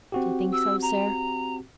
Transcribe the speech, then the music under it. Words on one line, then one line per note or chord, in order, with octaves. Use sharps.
'Do you think so, sir?'
C4 F#4 G4
E6
A#5